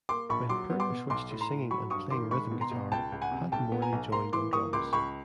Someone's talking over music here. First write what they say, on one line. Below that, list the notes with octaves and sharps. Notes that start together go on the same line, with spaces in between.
When Pirner switched to singing and playing rhythm guitar, Pat Morley joined on drums.
A#3 C6 D6
A#1 B5 C#6
F#3 C6 D6
B3
C6 D6
B2
B1 C6 D6
A2
A#5 C6
A2
F#3 B5 C#6
G2 C#6 D#6
D#3 C6 D6
G#3 B5 C#6
B2
A#5 C6
B2
C#2 G5 A5
C#2
F#5 G#5
C3
B1 G5 A5
B3
G#5 A#5
B1
A#3 A#5 C6
E3 C6 D6
A#3 C#6 D#6
C#2 C6 D6
C#2 B5 C#6